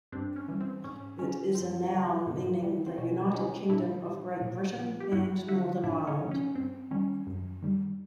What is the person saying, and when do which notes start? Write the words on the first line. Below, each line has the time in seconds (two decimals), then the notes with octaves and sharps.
It is a noun meaning "the United Kingdom of Great Britain and Northern Ireland".
0.12 G2 C4 D4
0.36 C#4
0.48 E3 G3
0.60 C4
0.84 G#2 C#4
1.19 D#3 F#3 C#4
1.55 F#2 C4
1.91 C#3 E3 G3
2.26 G#2
2.62 E3 G3
2.86 C4
2.98 B2 C#4
3.34 G3 C#4 D#4
3.69 A#2 D4 E4
4.06 G3
4.41 A#2
4.77 F3
5.00 G4
5.12 G2 E4 F#4
5.48 D3 F3 E4 F#4
5.83 A2 D4 E4
6.07 C#4 D#4
6.20 F3
6.31 C#4
6.55 G2 C4
6.91 D#3 G3 C#4
7.27 F#2
7.62 D#3 G3